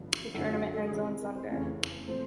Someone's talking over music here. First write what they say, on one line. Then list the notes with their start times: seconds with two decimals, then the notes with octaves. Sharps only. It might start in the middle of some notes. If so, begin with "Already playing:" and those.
The tournament ends on Sunday.
Already playing: A1 G2 D3 F3
0.34 F#2 D3 F#3 E4
0.49 F4
0.73 A4
0.82 G#4
0.92 C3 D#3 G#3 C#4 E4
1.21 A#4
1.35 C5
1.49 F1 E2 C#3 E3 A3 C#4 C#5
2.07 A#2 F3 A3 C4 C5